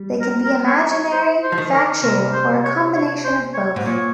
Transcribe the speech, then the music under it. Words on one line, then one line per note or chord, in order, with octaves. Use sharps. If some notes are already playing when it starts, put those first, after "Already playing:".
They can be imaginary, factual or a combination of both.
Already playing: G3
A#4
A#4
C#5
C#5
C5
C5
F3
D#3
A#4
C3 A#4
C5
C#5
C#5
C5
C#5
G#2
A#2 C#5